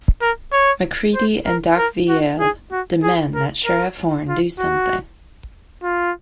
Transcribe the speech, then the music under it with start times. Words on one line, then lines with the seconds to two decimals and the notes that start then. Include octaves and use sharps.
Macreedy and Doc Velie demand that Sheriff Horn do something.
0.22 A#4
0.53 C#5
1.15 C5
1.46 A#4
1.77 A#4
2.09 F#4
2.40 G#4
2.72 F#4
3.03 G#4
3.35 A#4
3.65 A#4
4.28 F4
4.59 F#4
5.84 F4